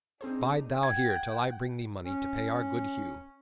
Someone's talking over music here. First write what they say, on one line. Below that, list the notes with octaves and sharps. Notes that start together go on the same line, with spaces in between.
Bide thou here till I bring thee money to pay our good Hugh.
C4 D4 D#4 G#4 C5
F#5 G5 G#6
C#4